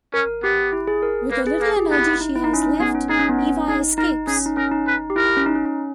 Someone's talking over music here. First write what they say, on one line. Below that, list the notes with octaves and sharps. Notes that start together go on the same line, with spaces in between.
With the little energy she has left, Eva escapes.
C#4 A#4
B3 G4
E4
G#4
A#4
A#3 B4
G#4
A#3 G#4
G4
B3 E4
D#4
E4
D#4
C#4
D#4
B3 G#4
C#4
D#4 G#4
C#4
B3
C#4
D#4 G#4
D#4 A#4
C#4 G#4
D#4
C#4 A#4
D#4
B4
G4
E4 A#4
C#4
D#4
C#4
C#4